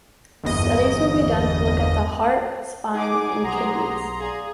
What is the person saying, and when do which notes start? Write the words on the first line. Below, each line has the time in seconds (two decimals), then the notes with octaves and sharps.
Studies will be done to look at the heart, spine and kidneys.
0.43 G1 E2 D#5
2.94 D#4 G#4 F#5 G#5 D6
3.41 B1 G4 F#5 A#5 C6 D#6
4.20 G#4 D5 F5 D#6